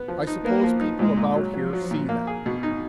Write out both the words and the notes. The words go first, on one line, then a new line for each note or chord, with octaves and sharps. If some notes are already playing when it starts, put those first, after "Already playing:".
"I suppose people about here see that."
Already playing: B3
F3
D#4
A#3 B3
F3
D#4
A#2 G#3
A#2
F#3
F3 F#3
F#3
A#2
A#3
G#4
B2
D#4